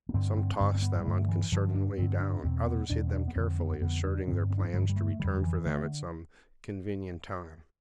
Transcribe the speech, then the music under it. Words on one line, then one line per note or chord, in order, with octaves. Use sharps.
Some tossed them unconcernedly down; others hid them carefully, asserting their plans to return for them at some convenient time.
B3
G2 D3 C4
C4
G2 D3 C4
C4
B3
G3
G2 D3 A3
E3
G2 D3 F3
D4
G2 D3 C4
D4
E2 B2 C4
B3
E2 B2 D4
C4
D4
B3
F2 D3 C4
B3
F2 D3 B3
D4
G2 D3 C4
C4
D4
C4
G2 D3 G3
F3
G3
A3
F2 D3 G3
E3
D3 A3